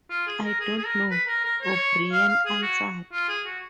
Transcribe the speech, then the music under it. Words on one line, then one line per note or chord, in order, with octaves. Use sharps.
"I don't know" O'Brien answered.
F4
G#4
A#4
G#4
G#4
A#4
B4
A#4
A#4
C#5
F5
F5
G#4
F#4
F4
G#4
F#4